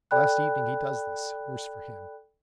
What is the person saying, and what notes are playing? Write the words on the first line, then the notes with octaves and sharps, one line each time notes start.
Last evening he does this. Worse for him!
A4 D5 G5 B5 F#6